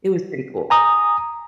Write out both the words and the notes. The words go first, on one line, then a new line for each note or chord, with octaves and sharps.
it was pretty cool.
G#5 A#5 D#6